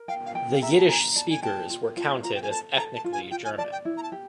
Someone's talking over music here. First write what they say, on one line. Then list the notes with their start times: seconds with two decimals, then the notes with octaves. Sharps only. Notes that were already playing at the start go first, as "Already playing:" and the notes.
The Yiddish speakers were counted as ethnically German.
Already playing: A#4
0.08 F5 G5
0.26 F5
0.35 G5
0.53 F5
0.62 E5 A#5
0.78 A5
0.89 G#5 A#5
1.16 D5 A5
1.30 G#5
1.43 G5 A5
1.70 F4
1.97 F4
2.23 F4 A#5
2.35 G5
2.42 G#5
2.50 A4 A5
2.77 A4 A#5
2.95 A5
3.04 F4
3.13 G#5
3.31 F4 G5
3.45 G#5
3.58 D5 A5
3.72 G5
3.85 E4
3.97 A#5
4.03 A5
4.12 G4